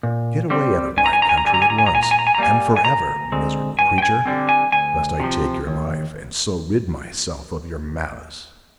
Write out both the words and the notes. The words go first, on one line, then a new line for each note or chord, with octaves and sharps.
"Get away out of my country at once, and for ever, miserable creature, lest I take your life, and so rid myself of your malice."
A#2
G3 C4
G2 G#5
A#5
G#5
A#5
G#5
A#5
D3 G3 G#5
A#5
G#5
A#5
G#5
A#5
A#2 G#5
A#5
G#5
A#5
G#5
A#5
G3 A#3 G#5
G#5
D2 A#5
D3 G#3 C4
G2 G#5
G5
G#5
D3 G3 C4
G#5
D2 G#5
C3 F3
D#2